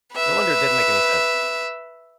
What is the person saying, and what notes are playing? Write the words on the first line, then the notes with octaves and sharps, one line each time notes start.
No wonder it didn't make any sense."
B4 E5